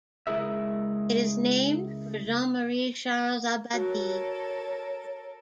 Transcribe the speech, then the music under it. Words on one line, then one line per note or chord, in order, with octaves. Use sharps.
It is named for Jean Marie Charles Abadie.
C#2 G#3 E4 G#4 A#4 E5
F#4 A4 A#4 C#5